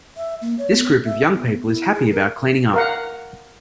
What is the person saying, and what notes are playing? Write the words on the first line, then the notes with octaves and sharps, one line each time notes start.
This group of young people is happy about cleaning up.
E5
A#3
C#5
B3
E5
B3
E4
G#4
A#4
A#4 F5 F#5